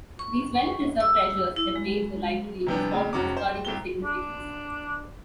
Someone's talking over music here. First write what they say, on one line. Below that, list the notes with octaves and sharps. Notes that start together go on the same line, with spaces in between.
These well-preserved treasures have made the library a spot of historical significance.
C#6
E6
E4
G#3
C3 E3 F3 G3 B3 D4
A2 C#3 C4
F1 C#4 F#4 A#5 D6
C5
C2 C4 G7
D4